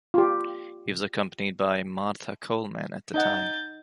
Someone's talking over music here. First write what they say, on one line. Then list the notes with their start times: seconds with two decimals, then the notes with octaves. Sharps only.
He was accompanied by Martha Coleman at the time.
0.14 F4 G4
3.14 D#4 D#5 F#5 G6 A6